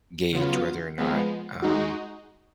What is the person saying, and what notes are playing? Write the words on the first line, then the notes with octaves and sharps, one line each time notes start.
gauge whether or not, um,
C#3 F#3 B3 F4
F3 G#3 B3
G#3 D#4 F#4